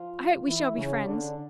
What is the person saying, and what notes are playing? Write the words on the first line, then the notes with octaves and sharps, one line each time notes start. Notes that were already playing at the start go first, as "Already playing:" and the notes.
I hope we shall be friends.
Already playing: F3 F4
E3 E4
C#3 C#4
D3 D4